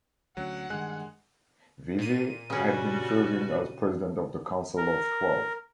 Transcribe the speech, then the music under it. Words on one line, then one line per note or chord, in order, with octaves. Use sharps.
Veazey had been serving as president of the Council of Twelve.
D2 F#3 C#4 F#5
G2 D#3 G#3 G#5 F#6
A#2 D#7
C#3 G3 C#4 F#4
A#4